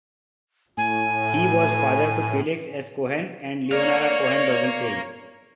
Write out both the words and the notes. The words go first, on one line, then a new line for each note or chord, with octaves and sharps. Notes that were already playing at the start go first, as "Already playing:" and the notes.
He was father to Felix S. Cohen and Leonora Cohen Rosenfield.
A2 G#5
A#4 C#5 D5 F5